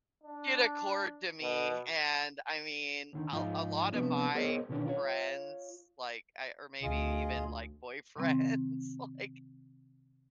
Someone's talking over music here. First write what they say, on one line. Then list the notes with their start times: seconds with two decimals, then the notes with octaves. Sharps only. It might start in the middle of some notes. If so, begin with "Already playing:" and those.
did accord to me, and, I mean, a a lot of my friends, like, I or maybe even, like, boyfriends, like,
0.23 D4
1.41 B2
3.13 D#2 D3 D#3
3.32 G#2 F3 D#4 F4
3.92 C3 F3 B3 D4
4.35 B3 G#4 A#4 C5 C#5 D#5
4.69 B2 D3 D#3 C#4 D4
4.86 F4 A#4 C#5
6.83 D2 F4 G#4 D#5
8.16 C3 D#3 G3 C4